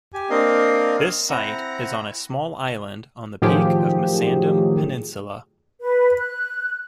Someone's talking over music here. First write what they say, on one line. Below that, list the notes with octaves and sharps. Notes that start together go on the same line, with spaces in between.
This site is on a small island on the peak of Musandam Peninsula.
G4 G#5
A#3 C4 D4 A#4 D#5 F5
C4 E4 F#5 A#5
A2 D#3 F3 F#3 G4 G#4
B4
F#6